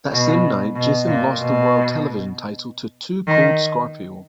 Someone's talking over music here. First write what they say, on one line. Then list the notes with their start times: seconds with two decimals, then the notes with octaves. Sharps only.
That same night, Jason lost the World Television Title to Too Cold Scorpio.
0.12 B2
0.75 B2
1.07 A#2
1.38 B2
3.28 D#3